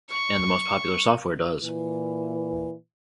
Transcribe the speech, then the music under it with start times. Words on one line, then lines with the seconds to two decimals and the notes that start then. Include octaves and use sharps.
And the most popular software does.
0.10 C#6
1.63 A#2 E3